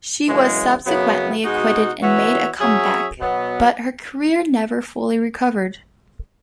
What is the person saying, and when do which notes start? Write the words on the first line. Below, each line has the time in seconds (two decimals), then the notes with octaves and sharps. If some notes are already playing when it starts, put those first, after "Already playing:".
She was subsequently acquitted and made a comeback, but her career never fully recovered.
0.28 F#2 C#3 E3 G#3
0.86 F#2 C#3 F#3 B3
1.45 B2 G#3 D#4 F#4
2.02 E3 B3 F#4 C#5 E5
2.61 F#3 C#4 G#4 C#5 E5
3.19 B2 F#3 B3